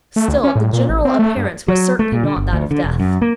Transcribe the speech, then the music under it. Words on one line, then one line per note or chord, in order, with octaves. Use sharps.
Still, the general appearance was certainly not that of death.
A3
D2
C#4
A2
A#2
A1
C4
A3
G2
F#3
A3
A#2
D3
G1
D2
D3
E1
F#2
A#3